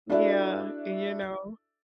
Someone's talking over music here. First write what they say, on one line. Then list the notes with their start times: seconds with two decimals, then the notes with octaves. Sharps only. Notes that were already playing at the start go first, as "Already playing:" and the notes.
Yeah, and, you know
0.10 D4 E4 F#4 A4 D5 E5